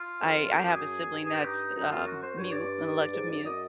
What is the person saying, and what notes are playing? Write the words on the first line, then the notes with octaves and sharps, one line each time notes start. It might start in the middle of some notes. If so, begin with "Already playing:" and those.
I I have a sibling that's, um, mute, an elective mute.
Already playing: F4
F2
F#2 G4
G4
G#4
G2
G#4
G4
D#4
F#2 D#4
F4
F#4
C5
G2 C#5
D5
G2
G#2
F#2 D5
D#5